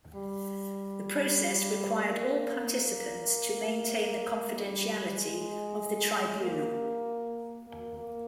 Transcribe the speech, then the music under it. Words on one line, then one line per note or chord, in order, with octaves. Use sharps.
The process required all participants to maintain the confidentiality of the tribunal.
G3
A#3
A#3
G3
G#3
A#3
A#3
A#3